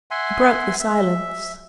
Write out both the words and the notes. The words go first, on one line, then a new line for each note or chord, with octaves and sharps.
She broke the silence.
E5 F#5 G#5 C6
E5